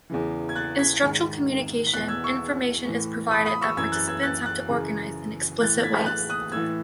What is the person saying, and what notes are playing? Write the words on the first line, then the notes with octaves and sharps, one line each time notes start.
In structural communication, information is provided that participants have to organize in explicit ways.
E2 C#3 E3
G#6
F#6 A6
G#6 B6
G#2 D#3
B6
E2 B2 F#6 A6
E6 G#6
C#6 E6
A2 E3
B5 D#6
B5 D#6
C#6 E6
F#2 E3 E6 G#6
F#6 A6
E6 G#6
F#6 A6
F#6 A6
F#2 C#3 E3
A2 E3 F#6 A6
A6
G#6 B6
B6
F#6 A6
D#6 F#6
A2 E3 E6 G#6